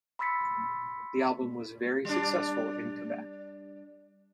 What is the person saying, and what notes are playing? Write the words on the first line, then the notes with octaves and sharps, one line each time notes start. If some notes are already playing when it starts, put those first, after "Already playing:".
The album was very successful in Quebec.
B5 C6 E6 A6 B6 C#7
G3 D4